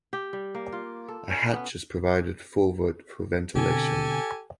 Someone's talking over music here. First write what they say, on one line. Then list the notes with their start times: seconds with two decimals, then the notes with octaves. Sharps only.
A hatch is provided forward for ventilation.
0.13 G4
0.33 G3
0.55 A#3
0.72 F4
1.08 A4
1.30 C#4
1.53 B3
3.56 B2 D3 C4 G4 A4 G#5